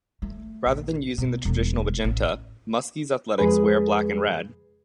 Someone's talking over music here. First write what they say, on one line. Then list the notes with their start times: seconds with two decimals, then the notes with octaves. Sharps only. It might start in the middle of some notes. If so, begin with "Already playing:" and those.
Rather than using the traditional magenta, Muskies athletics wear black and red.
0.22 A3
0.66 A#1
1.18 B2
1.45 E1
2.04 A1
3.38 F2 G#3 G#4 B4